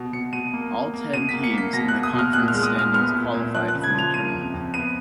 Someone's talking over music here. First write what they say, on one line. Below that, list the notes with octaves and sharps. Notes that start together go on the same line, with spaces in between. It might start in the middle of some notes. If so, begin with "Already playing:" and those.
All ten teams in the conference standings qualified for the tournament.
Already playing: B2
B2 C#7
B2 D#7
A#3
A#3
A#3
B2 D#7
B6
A#3
C#7
A#3 B6
B2 A#6
F#6
A#3
D#6
B2
F6
A#2 F#6
F6
G#3
D#6
A#2
F6
B3 F6
A#2
A#2
F3 F#6
F#6
C#3
G#6
F3 F7
A#3 D#7
F2
F2
B3 D#7